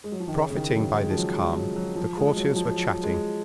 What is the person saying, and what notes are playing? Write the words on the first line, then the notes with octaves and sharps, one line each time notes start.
Profiting by this calm, the courtiers were chatting.
G#3
F#3
F3
D#3
C#3
C#3
D#3
F#3
G#3
F3
F#3
G#3
F#3
F#3
F3
G#3
F#3
F3
F#3
G#3